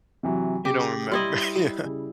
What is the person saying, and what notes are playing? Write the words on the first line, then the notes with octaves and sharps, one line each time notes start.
you don't remember, yeah.
C3 E3 F#3
C#3 G4
G3 E4 D#5 C6
C#3